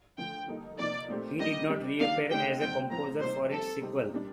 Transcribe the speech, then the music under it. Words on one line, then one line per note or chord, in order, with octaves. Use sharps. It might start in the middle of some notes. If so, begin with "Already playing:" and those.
He did not reappear as a composer for its sequel.
D3 F3 A3 G5
G3 A#3 D#4 A4
C3 F3 A#3 D#4 D5
A#2 A3 C4 G4
G3 A#3 D4 G4 D#5
G3 D4 G4
D#3 A#3 D4 F5
D3 A3 D#4 G4 G5
A#2 G3 C4 G5
A2 F3 C4 A#5
C3 G3 A#3 D#4 C5
G3 C4 G4 A4
C3 G3 C4 D#4 G4
A#2 G3 D4